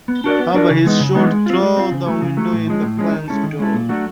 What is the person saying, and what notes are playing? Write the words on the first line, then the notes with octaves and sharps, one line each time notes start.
However, he is shot through the window in the plane's door.
B3
D4 F#4 A#4 D5
B3
D4 F#4 A#4 D5
C#3
E3 G#3 B3 D#4
C#3
E3 G#3 B3 D#4
G#3
C4 F4
G#3
C4 F4
C#3
F#3 A3
C#3
F#3 A3
A2
F3 G#3 C#4
A2
F3 G#3 C#4
D#3
G#3 C#4 E4 A4
D#3
G#3 C#4 E4 A4
A#2
F#3 A3 D4 F#4